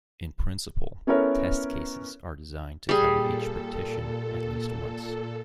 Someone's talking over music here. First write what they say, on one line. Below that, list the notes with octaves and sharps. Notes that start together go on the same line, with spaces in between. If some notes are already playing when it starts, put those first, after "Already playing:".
In principle, test cases are designed to cover each partition at least once.
B3 C#4 E4 A4 A#4 C#5
A#2 G3 G#4 A4